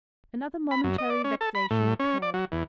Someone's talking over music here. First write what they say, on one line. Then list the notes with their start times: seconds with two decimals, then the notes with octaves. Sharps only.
Another momentary vexation occurred.
0.71 B5
0.84 F#2
0.98 D#5
1.10 D5
1.24 C#4
1.41 A4
1.55 B5
1.71 A2
1.99 C#4
2.22 D5
2.34 F#3
2.52 E2